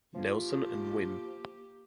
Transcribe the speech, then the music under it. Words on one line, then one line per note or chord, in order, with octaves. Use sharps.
Nelson and Wm.
F3 A#3 G4